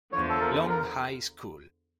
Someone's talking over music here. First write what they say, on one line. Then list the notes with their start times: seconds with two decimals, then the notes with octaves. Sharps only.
Long High School.
0.12 E2 D3 F3 C#5
0.29 A4
0.41 A#4
0.69 A#4